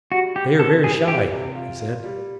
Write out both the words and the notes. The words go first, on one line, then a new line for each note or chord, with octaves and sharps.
"They are very shy," he said.
G3 F#4
G3 G4
C4 A4
G3 G#4
G3 G4
C3
F4
F4
G3